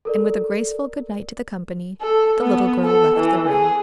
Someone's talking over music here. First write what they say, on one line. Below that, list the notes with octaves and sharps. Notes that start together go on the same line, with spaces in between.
And with a graceful good-night to the company, the little girl left the room.
A4 A#4 D5
A4
B3
A4
E3
G#4